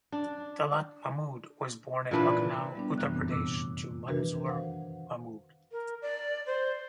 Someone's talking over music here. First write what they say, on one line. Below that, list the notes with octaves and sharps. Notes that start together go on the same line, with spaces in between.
Talat Mahmood was born in Lucknow, Uttar Pradesh, to Manzoor Mahmood.
D4
A#2 E3 D4 B4
G3 B3 D4
F#2 C3 E3 F#6
F2 A#2 C#3 A3 C4
D6 E6
D#3 E3 D4 F#4 A#4 B4
C5 F5 F#5
A#4
D5
C5